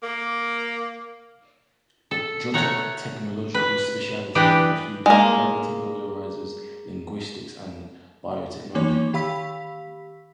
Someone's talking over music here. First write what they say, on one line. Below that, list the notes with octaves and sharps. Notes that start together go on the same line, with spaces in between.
Jotok technological specialties included gravity polarizers, linguistics and biotechnology.
A#3
A4
A3 C#5 F#5 A#5
B4
E3 D4 G4 B4 D#5
G#3 A#3
D#3 E3 A#3 D#4 C#5 C#6
D#3 G4 F5 B5 E6 B6